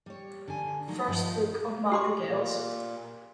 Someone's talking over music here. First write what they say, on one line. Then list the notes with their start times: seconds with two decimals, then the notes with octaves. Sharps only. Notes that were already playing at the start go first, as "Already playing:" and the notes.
First Book of Madrigals.
0.06 G3 C#5
0.48 D3 G#5
0.88 F#3 A3 A#3 D#4
1.07 G2 D#3 F3 A3 D#4 F4
1.92 G4 C6 D6
2.24 A#2